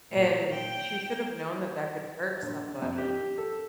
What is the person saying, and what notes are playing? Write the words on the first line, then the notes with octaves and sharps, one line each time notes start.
And she should’ve known that that could hurt somebody,
A#2
G5
A#1
F2
G4
A4